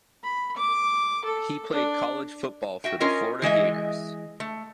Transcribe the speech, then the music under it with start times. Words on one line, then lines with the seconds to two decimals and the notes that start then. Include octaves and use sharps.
He played college football for the Florida Gators.
0.24 B5
0.56 D6
1.25 A4
1.72 D4
2.84 F#4 E5 G5
3.00 C#4 F4 A#4 C#5 D#5
3.42 E3 G#3 D#5 E5
4.40 A3